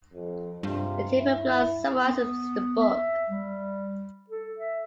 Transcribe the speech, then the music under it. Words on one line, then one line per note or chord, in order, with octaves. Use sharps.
The table below summarizes the book.
F2
G2 C3 G#3 F4
E4
B3
E5
G3
A4
E5